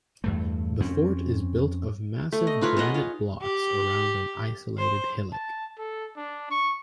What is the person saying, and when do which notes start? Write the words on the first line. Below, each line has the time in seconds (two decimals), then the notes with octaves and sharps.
The fort is built of massive granite blocks around an isolated hillock.
0.24 E2 G2 A3
0.80 F2 C4 C#4
2.32 A3
2.47 D#5
2.61 D#4 F4 B4 C#5
2.77 G#4 C#5 D#5 F#5
2.94 F4 C#5
3.40 G4
4.77 C5
5.33 A5
5.78 A4
6.16 D4
6.51 C#6